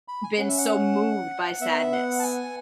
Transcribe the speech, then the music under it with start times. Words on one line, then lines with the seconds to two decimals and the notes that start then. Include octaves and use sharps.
been so moved by sadness.
0.08 B5
0.24 G#5
0.39 C#4 F#5
0.48 E5
0.58 F#5
1.61 B3 E5
1.92 F#5
2.19 A5
2.23 G#5